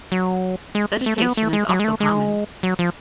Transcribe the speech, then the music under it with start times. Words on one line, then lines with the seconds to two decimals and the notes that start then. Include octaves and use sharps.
Vegetation is also common.
0.12 F#3
0.75 G#3
1.06 A3
1.18 A3
1.22 B3
1.37 A3
1.53 G#3
1.69 F#3
1.80 G#3
1.84 A3
2.00 G#3
2.63 F#3
2.79 F3